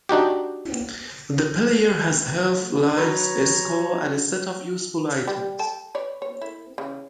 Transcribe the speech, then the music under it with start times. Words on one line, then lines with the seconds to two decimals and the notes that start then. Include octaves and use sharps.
The player has health, lives, a score, and a set of useful items.
0.09 D4 D#4 F#4 G4
2.97 F#3 B4 C#5 A#5
5.27 G3 G4
5.59 A4 G5 A5
5.95 B4 C#5 D5
6.22 C#5
6.41 E4
6.78 C#3 E3